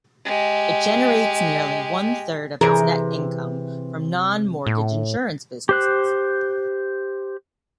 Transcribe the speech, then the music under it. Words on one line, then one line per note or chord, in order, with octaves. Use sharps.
It generates nearly one-third of its net income from non-mortgage insurance businesses.
G#3 G4
C3 E3 G#4 A#4
A2
G4 C5 F#6